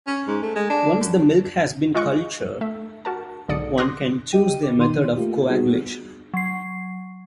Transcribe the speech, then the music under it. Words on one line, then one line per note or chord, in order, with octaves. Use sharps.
Once the milk has been cultured, one can choose their method of coagulation.
C#4
G#2
A3
G#3
D4
F#2
G#3 F4 D#5 C#6 F#6 C#7
A3 E5
F#4 A#4 A5
B1 G#2 D3 D5 D#6 C#7
C6 D6 D#6 F#6 A#6
G4 D#5 G5 D#7
D6
D#3 D#4 C6 D#7
A3 A#3 F4 G4
G3 B3 D#4 F#4 G#4
F#3 C7